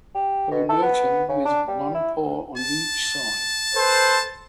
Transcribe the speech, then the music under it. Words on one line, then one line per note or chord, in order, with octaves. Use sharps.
Pronotum with one pore on each side.
G4
B2
A4
B3
C#3
D4
G3
E4
A5
A4 B4 C5